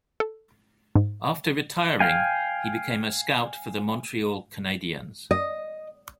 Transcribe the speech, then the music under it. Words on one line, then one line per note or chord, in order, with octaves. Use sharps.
After retiring, he became a scout for the Montreal Canadiens.
A4
G#2
F5 G5 G#5
D#5